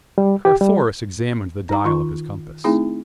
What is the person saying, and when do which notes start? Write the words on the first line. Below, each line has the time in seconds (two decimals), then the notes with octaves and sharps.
Carthoris examined the dial of his compass.
0.18 G3
0.45 G4
0.61 G3
1.69 D#4 A#5
1.84 D#3 F4 C#6
2.64 A3 C4 D#4 E4 G#4